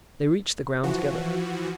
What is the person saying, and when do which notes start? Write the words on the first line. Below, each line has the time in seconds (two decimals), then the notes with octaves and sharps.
They reached the ground together.
0.83 E3 F3 F#4